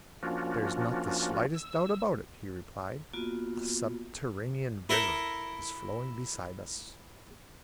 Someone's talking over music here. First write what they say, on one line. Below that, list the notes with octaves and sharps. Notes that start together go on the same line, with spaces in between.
"There's not the slightest doubt about it," he replied, "a subterranean river is flowing beside us."
F3 A#3 C#4 D4 F4 F#4
E6
A#3 B3 F4 F#4
E4 A4 A#4 E5 A#5